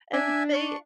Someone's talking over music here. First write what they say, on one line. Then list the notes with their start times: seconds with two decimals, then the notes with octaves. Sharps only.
and they
0.13 D4 E5 G#5
0.54 C#6